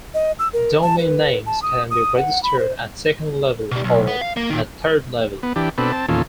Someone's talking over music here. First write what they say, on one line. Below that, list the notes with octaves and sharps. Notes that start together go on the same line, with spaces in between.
Domain names can be registered at second-level or at third-level.
D#5
E6
A#4
A5
B4
A5
D#6
D#6
F#5
B5
C5
B2 G3
B1
B3
F5
A#3
A#2 D#3
B3
E3 D4 G4
B2 C4 D4 A4 B4
C4 A5
E2 A#2 D#3 C#4 F4 A4